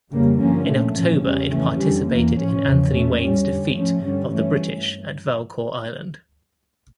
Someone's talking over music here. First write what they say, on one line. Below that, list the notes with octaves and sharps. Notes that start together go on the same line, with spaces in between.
In October it participated in Anthony Wayne's defeat of the British at Valcour Island.
F2 C#3 G3 A#3
G2 D3 F3 A#3 C#4
A#2 A3 C#4
A#2 F3 C#4
E2 C#3 G3 C#4
F2 C#3 E3 A3 C#4
F2 D3 G3
E2 E3 A#3
A2 F3 C#4
E2 C#3 F3
A#2 A3 C#4
A2 G3 C#4
F2 D3 G3
A2 F3 A3 C#4
G2 D3 G3 C#4
G2 E3 A3 C#4